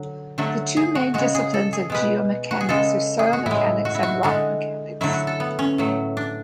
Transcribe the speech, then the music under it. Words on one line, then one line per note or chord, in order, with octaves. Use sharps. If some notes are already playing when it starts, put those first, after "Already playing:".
The two main disciplines of geomechanics are soil mechanics and rock mechanics.
Already playing: D3 F#3
D3 F#3 A3
G#4
F#4
C#3 G#3 F#4
G#4
A4
G#4
B2 G#3 B4
F#4
G#4
C#3 G#3 A4
G#4
F#4
A2 G#3 E4
F#4
E4
F#4
D3 G#3 F#4
D3 F#3 A3 E4
F#4
A4
B3
C#4
A2 F#3 A3
D4